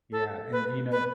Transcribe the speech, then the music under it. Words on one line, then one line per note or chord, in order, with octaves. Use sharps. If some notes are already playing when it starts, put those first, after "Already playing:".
Yeah, and, y you know
A4
B4
B4